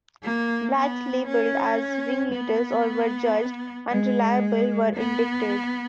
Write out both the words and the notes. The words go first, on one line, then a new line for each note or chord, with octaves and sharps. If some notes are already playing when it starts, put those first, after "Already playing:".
Blacks labeled as ringleaders or who were judged "unreliable" were indicted.
A#3
B3
C#4
B3
G#3
B3